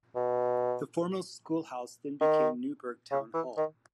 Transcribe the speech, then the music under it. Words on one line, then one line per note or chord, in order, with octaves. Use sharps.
The former schoolhouse then became Newburgh Town Hall.
B2
D#3
C#3
E3
D#3